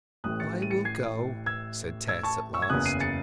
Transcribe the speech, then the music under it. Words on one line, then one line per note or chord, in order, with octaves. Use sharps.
"I will go," said Tess at last.
A1 A2 E3 D#6 F#6
A6 C#7
D#7
A6 C#7
G#6 C7
E6 G#6
E6 G#6
A5 C#6
C#6 E6
G#6
F#1 E2 C#3 D#6 F#6
C7 D#7
A6 C#7